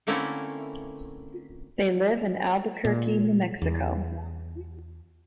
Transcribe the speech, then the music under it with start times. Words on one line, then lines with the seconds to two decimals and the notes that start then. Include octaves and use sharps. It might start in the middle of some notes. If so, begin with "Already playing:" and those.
They live in Albuquerque, New Mexico.
0.07 D3 A3 A#3 C4 C#4 E4
2.85 A#2
3.62 E2